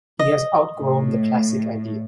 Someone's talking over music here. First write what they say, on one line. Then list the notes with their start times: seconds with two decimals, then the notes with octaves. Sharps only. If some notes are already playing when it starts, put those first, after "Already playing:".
He has outgrown the classic idea...
0.19 D#5
0.79 A2